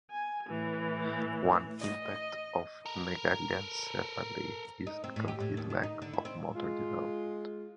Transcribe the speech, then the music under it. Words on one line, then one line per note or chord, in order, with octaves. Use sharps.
One impact of megalencephaly is the complete lack of motor development.
G#5
A2 E3
D#5
A4 A#4
D#4
C4
A2
G4
A2
D#2
D#3
D#4
D3
E4
C4
G#3 F4